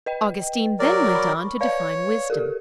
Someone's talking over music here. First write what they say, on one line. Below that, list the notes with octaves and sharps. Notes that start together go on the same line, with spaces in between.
Augustine then went on to define wisdom.
B4 D#5 G5
F#3 A#4 D5
B5 C#6
B4 C#5 D5 F5
G4 A4 A#4